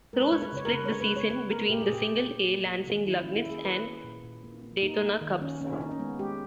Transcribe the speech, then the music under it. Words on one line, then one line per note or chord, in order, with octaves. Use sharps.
Cruz split the season between the Single-A Lansing Lugnuts and Daytona Cubs.
G#3 A#4
B4
G#3 C#5
B4
C#3 C#5
A#4
C#3 B4
C#5
G#3
B4
G#3 C#5
A#3 B4
A#3 A#4
A#2 G4
G#4
A#2 G4
A#3
A#3
A#3
A#3
D#3
D#3 E4
A#3 C#4
E4
A#3 G#4
A#3 B4
A#3
A#2
A#2
A#3
A#3
A#3 D#4
A#3
D#3
D#3 C#4
A#3 C#4
A#3 D#4
C#4
G#3 B3
G#3 G4